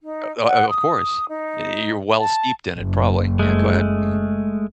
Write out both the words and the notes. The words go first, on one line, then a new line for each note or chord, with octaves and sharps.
U Uh, o of course. Y You're well steeped in it, probably. Yeah, go ahead. Mhm.
D#4
F#5
D#6
D#4
A5
F#1
G#3 A3